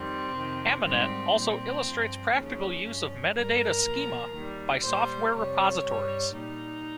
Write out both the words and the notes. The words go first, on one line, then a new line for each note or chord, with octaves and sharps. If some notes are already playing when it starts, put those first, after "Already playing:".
Aminet also illustrates practical use of metadata schema by software repositories.
Already playing: F2 D#3 G3 C4
F2 C3 D#3
G#2 D#3 G3 C4
A#2 G3 C4
G2 F3
D#2 C#3 F3 C#4
G2 F3
G2 G3 A#4
A#2 F3
D#2 D#3 G3
A#2 G3 C5
F2 C3 G3 C#5
G2 G3
A#2 G3 D#4